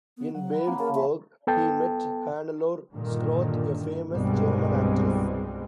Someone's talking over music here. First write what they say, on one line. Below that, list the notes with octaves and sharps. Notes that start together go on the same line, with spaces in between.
In Babelsberg he met Hannelore Schroth, a famous German actress.
B3
F#3 F#5
F#5 B5
A#3 C4 C#4 E4
C#3 A#4 A5
E3 F4 E5
B3 A4 G5 A5
G2 A#2 D3 D#3
C2 G2 B2 G3 G#3 C4